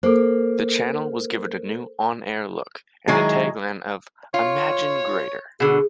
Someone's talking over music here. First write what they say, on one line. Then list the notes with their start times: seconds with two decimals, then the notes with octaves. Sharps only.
The channel was given a new on-air look and a tagline of "Imagine Greater".
0.03 A#3 A4 C5
3.08 D#3 F#3 G#3 E4 G#4
4.34 F4 C#5
5.60 B2 D3 G#4